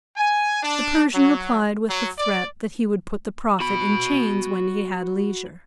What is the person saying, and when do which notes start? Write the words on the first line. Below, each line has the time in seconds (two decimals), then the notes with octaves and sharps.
The Persian replied with the threat that he would put the Prophet in chains when he had leisure.
0.17 G#5
0.62 D4
1.13 F#3
1.88 F#3
2.17 D5
3.60 F#4 B5